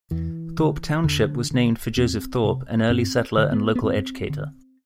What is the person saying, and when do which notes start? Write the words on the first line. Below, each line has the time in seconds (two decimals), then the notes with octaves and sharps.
Thorpe Township was named for Joseph Thorpe, an early settler and local educator.
0.11 E2 E3
0.58 D3
1.04 E2 D3
1.51 D3
1.97 E2 C4
2.44 C3
2.90 G2 C4
3.37 D3
3.52 B3
3.75 B3
3.83 F#2 C4
4.30 D3